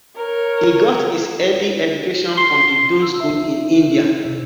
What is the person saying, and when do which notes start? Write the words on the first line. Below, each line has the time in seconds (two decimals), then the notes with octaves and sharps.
He got his early education from the Doon School in India.
0.16 A#4 C#5
2.37 C6
3.02 E6
3.20 E5
3.44 D#4
3.83 E4
4.25 C3